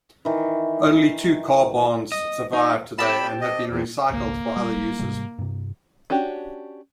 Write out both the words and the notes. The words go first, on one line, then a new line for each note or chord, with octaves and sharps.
Only two carbarns survived today and have been recycled for other uses.
D#3 E3
D#5
D#4
C4 G4 A5 B5
D#5
E2
G#1 C#2 A#3
G3
G#2 C3 G3
G2 C3
C#4 D4 F#4 G4